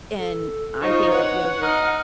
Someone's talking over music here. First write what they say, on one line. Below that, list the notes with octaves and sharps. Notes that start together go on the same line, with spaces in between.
and I think that yoga
A4
D#4 F4 C5 C#6
B4 C#5 F#5
D#4 F6